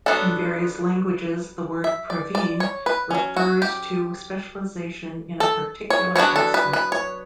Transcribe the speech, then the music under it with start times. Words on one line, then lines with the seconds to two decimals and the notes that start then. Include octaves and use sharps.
In various languages the word "praveen" refers to specialization in a particular aspect.
0.06 F#3 B3 D4 A4
1.84 E5
2.10 D5
2.35 D5
2.60 C#5
2.86 B4
3.11 F#3 C#4
3.37 F#4
3.62 G4
5.40 A4
5.90 C#5
6.16 F#3 B3 D4 C#5
6.36 A4
6.54 B4
6.73 B4
6.92 C#5